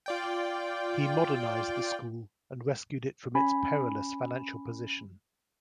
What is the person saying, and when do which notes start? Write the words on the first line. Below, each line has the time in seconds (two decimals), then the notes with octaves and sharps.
He modernised the school and rescued it from its perilous financial position.
0.06 F4 D5 G5
3.35 C#4 G#5 B5